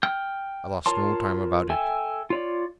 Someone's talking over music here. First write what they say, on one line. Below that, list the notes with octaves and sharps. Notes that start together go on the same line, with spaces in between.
I lost no time about it.
G5 F6 G6
F4 A#4 C#5 A5 C6
A4 E5 G5 G#5
F4 C#5 D5